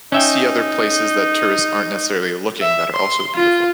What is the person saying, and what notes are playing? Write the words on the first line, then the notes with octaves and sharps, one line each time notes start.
see other places that tourists aren't necessarily looking, that are also beautiful.
C#4 D#4 E5 G5
E5
C6
F4